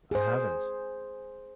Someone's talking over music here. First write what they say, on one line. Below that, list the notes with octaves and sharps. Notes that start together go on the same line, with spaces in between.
I haven't.
G#4 C5